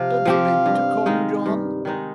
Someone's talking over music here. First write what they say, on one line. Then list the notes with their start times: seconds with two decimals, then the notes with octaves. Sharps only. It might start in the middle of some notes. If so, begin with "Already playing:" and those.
Don't forbid me to call you John.
Already playing: C3 F3 C4 F5
0.25 F3 C4 G4
0.66 G2
1.06 D#3 G#3 D#4
1.46 G2
1.85 D#3 G#3 D#4